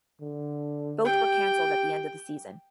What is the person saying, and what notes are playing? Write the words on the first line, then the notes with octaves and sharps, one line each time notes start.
Both were cancelled at the end of the season.
D3
G4 G5